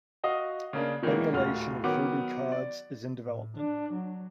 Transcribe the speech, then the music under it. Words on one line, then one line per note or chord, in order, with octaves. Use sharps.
Emulation of Voodoo cards is in development.
F#4 D#5 F5 D#6
C#3 A#3 D4
B2 D#3 E3 F#3 G#3 A#3
D#1 A2 F4 F#4 F6
D#3 F#3 B3 D6
D5
A2
D4
F#3